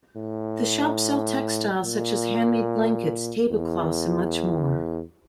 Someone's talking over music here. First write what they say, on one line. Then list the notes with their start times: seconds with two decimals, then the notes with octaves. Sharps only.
The shops sell textiles such as handmade blankets, tablecloths, and much more.
0.16 A2
1.84 A#2
3.51 E2